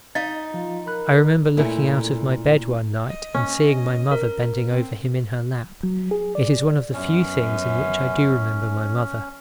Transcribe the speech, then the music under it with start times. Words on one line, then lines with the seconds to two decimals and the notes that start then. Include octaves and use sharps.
I remember looking out of my bed one night and seeing my mother bending over him in her lap;--it is one of the few things in which I do remember my mother.
0.15 D#4 D#5 F5
0.54 F3 F4
0.87 A#4 B5 F#6
1.57 A#2 A3 C#4 E4
3.08 D#5
3.35 C#4
4.11 A#4
4.70 C4
5.83 F#3
6.11 G#4
6.35 D5
6.93 F#2 B3 C#4